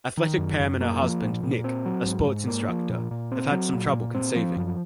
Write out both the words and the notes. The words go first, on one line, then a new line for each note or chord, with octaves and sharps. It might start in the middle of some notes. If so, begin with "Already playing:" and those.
Athletic Pam and her husband, Nick, a sports instructor, have had some trouble conceiving.
D#3
F#2
F#2
A#3
F3
A#2
A#2
C4
F#3
G#2
G#2
A#3
F3
A#2
A#2
C4
F#3
A#2
A#2
C4
F3
F#2